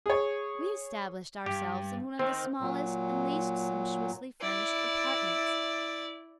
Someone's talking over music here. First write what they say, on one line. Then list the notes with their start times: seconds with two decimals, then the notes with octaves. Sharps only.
We established ourselves in one of the smallest and least sumptuously furnished apartments.
0.06 G#4 C#5
1.46 G2 G4
2.19 D#3 C4 C5
2.61 A#2 F#3
4.40 E4 D5